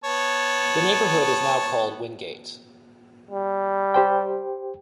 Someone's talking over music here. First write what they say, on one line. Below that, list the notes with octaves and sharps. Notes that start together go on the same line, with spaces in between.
The neighborhood is now called Wingate.
B3 C#5 A5
G3
G4 C5 G5